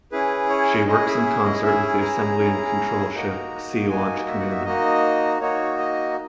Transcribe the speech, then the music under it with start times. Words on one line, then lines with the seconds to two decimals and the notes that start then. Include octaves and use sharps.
She works in concert with the assembly and control ship "Sea Launch Commander".
0.12 C#4 E4 G#4 B4
0.50 C#5
0.87 C#4 E4 G#4 D#5
1.07 E5
1.25 E5
1.44 D#5
1.63 C#4 E4 G#4 E5
2.01 A#5
2.39 C#4 E4 G#4
3.14 A#3 D#4 F#4
3.89 A#3 D#4 F#4 G#5
4.28 E5
4.39 F#5
4.51 E5
4.65 A#3 D#4 F#4 D#5
5.41 A#3 D#4 F#4 C#5
5.79 D#5